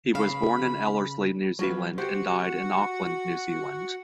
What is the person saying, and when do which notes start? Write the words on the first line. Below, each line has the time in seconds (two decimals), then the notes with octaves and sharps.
He was born in Ellerslie, New Zealand and died in Auckland, New Zealand.
0.15 C#3 F5 B5
1.59 F#3 F4 B4
1.98 F#4 G4 C5 F#5